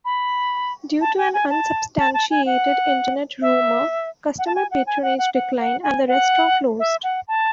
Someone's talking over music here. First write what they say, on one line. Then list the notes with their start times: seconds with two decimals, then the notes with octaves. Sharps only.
Due to an unsubstantiated internet rumor, customer patronage declined and the restaurant closed.
0.05 B5
1.01 A5
1.18 G#5
1.34 G#5
1.50 A5
1.98 A5
2.14 A5
2.30 G#5
2.46 F#5
3.42 E5
4.39 F#5
4.46 A5
4.55 G#5
4.71 F#5
4.87 G#5
5.03 F#5
5.18 F#5
5.34 F#5
5.60 F#5
5.83 G#5
6.07 F#5
6.79 E5
7.03 F#5
7.28 A5